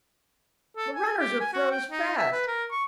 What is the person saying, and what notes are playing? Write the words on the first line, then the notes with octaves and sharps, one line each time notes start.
The runners are froze fast.
A4
G#5
G4
G#5
F#4
G5
D#4
E5
B4
A#4
C#6